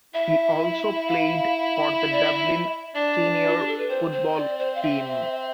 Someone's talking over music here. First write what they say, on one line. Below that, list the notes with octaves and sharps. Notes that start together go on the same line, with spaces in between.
He also played for the Dublin Senior football team.
E4 E5
E5
F5
E5
D5
E5
D4 D5
F4
G4
A4
B4
C4 C5
C5
D5
C5
F5
E5